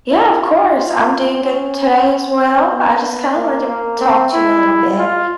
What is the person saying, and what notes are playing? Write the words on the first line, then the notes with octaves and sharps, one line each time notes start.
Yeah, of course, I'm doing good today as well, I just kinda wanted to talk to you a little bit
E4
F4
F4
C#4
C4
B3
A#3
A#3
C4
E4
F4